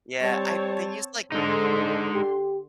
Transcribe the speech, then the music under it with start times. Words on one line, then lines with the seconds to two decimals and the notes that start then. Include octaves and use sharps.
Yeah, I they use, like
0.22 G3 C4 C#5 A5
1.32 G#2 D3 G#3 D#4 C6
2.14 G4